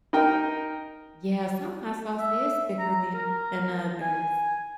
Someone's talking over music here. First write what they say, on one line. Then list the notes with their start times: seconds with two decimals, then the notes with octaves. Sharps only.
Yeah, some hot sauce is thicker than than others.
0.13 D#4 A#4 G5
2.19 E5
2.79 A#5
3.14 A#4
4.02 G#5